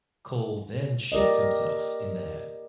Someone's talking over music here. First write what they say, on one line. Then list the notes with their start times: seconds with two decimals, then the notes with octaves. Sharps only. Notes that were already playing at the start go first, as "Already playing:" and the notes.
Cole then shoots himself in the head.
1.12 G4 A#4 D5 D#5